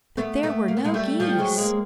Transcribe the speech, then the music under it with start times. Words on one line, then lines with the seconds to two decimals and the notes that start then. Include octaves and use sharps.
But there were no geese!
0.17 A3 B3
0.43 A3 B3
0.68 A#3
0.77 B3
0.84 G#3 A#3
0.94 G3 A3
1.20 F3 G3
1.39 F#3 G#3
1.58 G#3 A#3